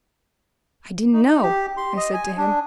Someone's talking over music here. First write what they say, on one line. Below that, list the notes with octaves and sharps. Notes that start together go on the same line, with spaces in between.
"I didn't know," I said to him.
D#4
D#4
G4
C6
D#5
G#5
D4